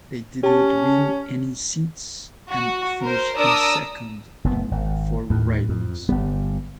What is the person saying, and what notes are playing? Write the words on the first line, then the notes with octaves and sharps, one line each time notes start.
They did not win any seats and finished in second in four ridings.
C#4 G4 A5
F#4
A#4 C5
D4 A#4 D5 A#5 D#6 E6
F#1 B3
G#1
D#2 A2
F2
G1 G3 B3